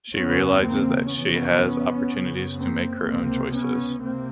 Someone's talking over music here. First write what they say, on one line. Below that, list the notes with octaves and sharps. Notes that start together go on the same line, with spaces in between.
She realizes that she has opportunities to make her own choices.
E2 C#3 B3 C#4
A#3 C4
E2 C3 B3 C#4
F#2 C#3
A#3 C4
C#2 C3 A#3 C4
B3 C#4
C3 A#3 C4